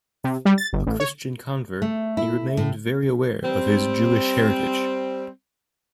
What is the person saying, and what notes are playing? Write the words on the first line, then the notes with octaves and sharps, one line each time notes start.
A Christian convert, he remained very aware of his Jewish heritage.
C3
G3
A6
G1
A1
C#5
A3
E4
A2
G3 C4